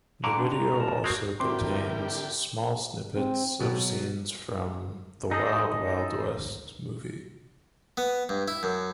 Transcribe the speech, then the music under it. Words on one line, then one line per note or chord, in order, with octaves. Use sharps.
The video also contains small snippets of scenes from the "Wild Wild West" movie.
G2 D3 F#4 A#5 D6
D4
A#5
A#4 A5
G#3 C4 F#4 G4 A#4
D3 C4 E4 F#4 G4 A#4 C6 D6
C4
B2 F#3
D#4 G#4 A4 D#5
B3
G2
E4
F#2